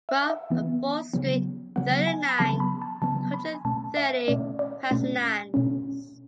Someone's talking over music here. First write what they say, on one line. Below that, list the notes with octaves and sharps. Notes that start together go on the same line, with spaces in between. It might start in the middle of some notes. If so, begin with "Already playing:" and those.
Quart Avaux street, thirty nine, two hundred thirty, Passenans.
E5
E5
E3 B3
C#3 F#3 B3
C#3 F#3 B3 F#5
G#5
B5
C#3 F#3 B3 A5
B5
A5
C#3 F#3 B3 A5
B5
G#5
B2 A3 C#4 A5
E5
B2 A3 C#4 D5
D5
B2 A3 C#4
B2 A3 C#4